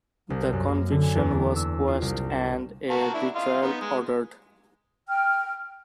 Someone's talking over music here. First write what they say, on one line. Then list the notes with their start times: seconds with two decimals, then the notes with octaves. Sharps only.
The conviction was quashed and a retrial ordered.
0.30 C2
0.53 F#2
0.68 A#3
0.91 D3
1.03 G#5
1.15 E2
1.31 D4
1.56 E6
1.88 F4
2.02 C2
2.30 E7
2.90 F#4 A#4 A5
3.14 D4 E4
3.35 D#5 F5 C6
3.62 B3 D#4
3.81 G#3
5.08 G5 F6